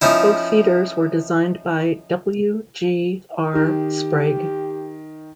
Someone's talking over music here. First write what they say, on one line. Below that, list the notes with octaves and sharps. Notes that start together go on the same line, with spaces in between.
Both theatres were designed by W. G. R. Sprague.
F3 C#4 D#4 E4
D#3 G4